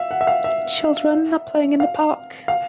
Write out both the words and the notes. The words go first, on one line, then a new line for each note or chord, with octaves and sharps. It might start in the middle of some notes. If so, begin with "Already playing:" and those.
Children are playing in the park.
Already playing: E5 F5
F#5
E5
F5
E5
F5
F5